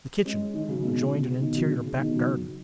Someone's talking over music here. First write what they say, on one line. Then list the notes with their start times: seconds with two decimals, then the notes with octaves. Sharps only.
The kitchen adjoined an interior back-garden.
0.25 G#3 C#4
0.54 D#3 G#3
0.68 C#3 F#3
0.83 B2 D#3
0.92 C#3
1.02 B2
1.12 C#3
1.40 B2 D#3
1.55 C#3 F#3
1.69 C#3
1.84 C#3
1.98 B2 D#3
2.12 C#3 F#3